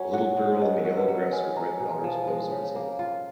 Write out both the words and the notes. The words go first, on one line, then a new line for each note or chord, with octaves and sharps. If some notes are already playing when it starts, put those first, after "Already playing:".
A little girl in a yellow dress with red flowers blows a whistle.
Already playing: F#3 C#4 F#5
F#4
G#3
C#4 D#5
A#4
F#4
B4
F#3
A#4
G#3 G#5
C#4 A#5
B2 G#5
A#5
F3 G#5
G#3
C#3
A#3
F4